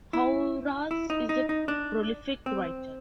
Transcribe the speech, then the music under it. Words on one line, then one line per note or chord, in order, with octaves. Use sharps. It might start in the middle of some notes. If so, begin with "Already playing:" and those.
Hauerwas is a prolific writer.
E4
E4
D#4
D#4
D#4
D4
C4